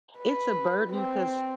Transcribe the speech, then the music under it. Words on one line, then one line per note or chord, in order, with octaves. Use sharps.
it's a burden, 'cause
B4
C4